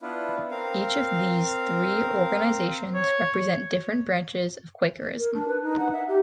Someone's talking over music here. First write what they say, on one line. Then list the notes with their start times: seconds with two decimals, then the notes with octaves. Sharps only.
Each of these three organizations represent different branches within Quakerism.
0.02 B3 D4 E4 F4 B4
0.51 C4 A#4 F5
2.95 C#5
5.18 A#4
5.34 D4
5.48 B4
5.62 D#4
5.79 F#5
5.92 E5
6.08 G4